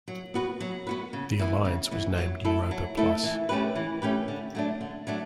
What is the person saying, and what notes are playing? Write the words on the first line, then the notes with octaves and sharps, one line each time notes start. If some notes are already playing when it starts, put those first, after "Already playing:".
The alliance was named Europa Plus.
F#3
B3 F#4 B4
F#3
B3 F#4 B4
C#3
E3 B3
C#3
E3 B3
F#3
A3 E4 A4
F#3
A3 E4 A4
E3
A3 C#4 G4 B4
E3
A3 C#4 G4 B4
D3
F#3 A3 D4
D3
F#3 A3 D4